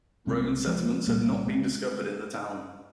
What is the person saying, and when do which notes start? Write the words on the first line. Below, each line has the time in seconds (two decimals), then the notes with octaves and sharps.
Roman settlements have not been discovered in the town.
0.27 C2 C3 G#3 C4
0.67 F3 G#3
1.07 C2 A#2 G3 A#3
1.47 G#3 C4